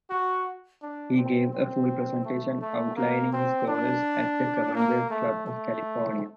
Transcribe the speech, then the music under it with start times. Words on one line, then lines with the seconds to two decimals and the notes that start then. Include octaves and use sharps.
He gave a full presentation outlining his goals at the Commonwealth Club of California.
0.10 F#4
0.82 D4
1.17 C4
1.53 C4
2.24 A3
2.61 A3
2.96 A#3
3.33 C4
3.67 D4
4.75 A#3
5.10 A3
5.46 A3